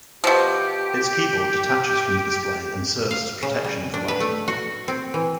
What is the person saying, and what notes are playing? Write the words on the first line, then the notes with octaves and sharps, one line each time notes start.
Its keyboard detaches from the display and serves as protection of the latter.
B2 F3 G4
F5
C#3
G3
D4
B4
A3
F#4
C4
E3